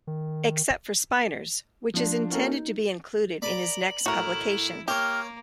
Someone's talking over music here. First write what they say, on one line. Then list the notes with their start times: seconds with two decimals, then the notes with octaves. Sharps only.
Except for Spinors, which is intended to be included in his next publication.
0.07 D#3
1.94 F3 D4
2.30 A#3 C#4 E4 F#4 A4 A#4
2.47 D#4
3.42 A#4 D5 B5 D6 F#7
4.06 A2 E4 F#4 A#4
4.88 A#3 G4 A#4 C#5 F6